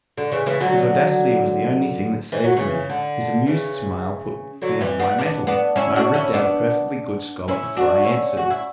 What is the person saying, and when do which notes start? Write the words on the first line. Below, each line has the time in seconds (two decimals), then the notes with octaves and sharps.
His audacity was the only thing that saved me: his amused smile put me on my mettle, and I ripped out a perfectly good scallop before I answered.
0.18 D3
0.32 C#3 E3
0.46 C#3 E3
0.60 D3 F#3
2.32 E3
2.44 F#3
2.57 C#3 E3
2.90 D3
3.47 C#3 E3
4.62 D3 F#3
4.80 E3 G3
5.00 G3 B3
5.18 B3 D4
5.47 B3 D4
5.76 C#4 E4
5.96 D4 F#4
6.14 C#4 E4
6.34 B3 D4
7.48 C#4 E4
7.77 D4 F#4
8.05 C#4 E4
8.37 F#4
8.50 E4